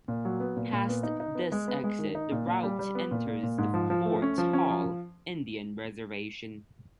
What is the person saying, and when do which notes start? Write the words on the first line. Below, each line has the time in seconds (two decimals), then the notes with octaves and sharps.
Past this exit, the route enters the Fort Hall Indian Reservation.
0.08 A#2
0.25 F#3
0.40 B3
0.56 A#2
0.73 A#2
0.89 B3
1.03 D#4
1.20 D#4
1.35 B3
1.52 G#3
1.68 B3
1.84 G#3
1.99 D#3
2.15 D#4
2.32 A#2
2.47 A#2
2.63 G3
2.79 G3
2.95 B3
3.11 A#2
3.27 A#2
3.43 A#2
3.58 G#2
3.74 F3
3.90 F3
4.05 A3
4.22 C#4
4.38 F3
4.53 C#4
4.70 F3